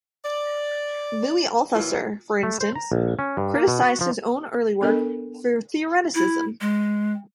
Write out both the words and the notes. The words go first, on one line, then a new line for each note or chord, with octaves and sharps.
Louis Althusser, for instance, criticized his own early work for theoreticism.
D5
A#2 E3 F#3 E4 F4
A3
C5
A#5
A#1
C#4
G2
A#3
B2
F#4
F3
B3 D4 A4 A#4 D#5
E4
G#3